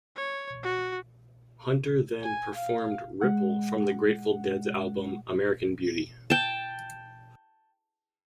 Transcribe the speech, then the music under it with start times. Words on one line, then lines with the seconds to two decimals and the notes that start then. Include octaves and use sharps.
Hunter then performed "Ripple" from the Grateful Dead's album "American Beauty".
0.16 C#5
0.63 F#4
2.23 G#5
2.56 F5
3.21 G#3 F#5
6.30 G5 A5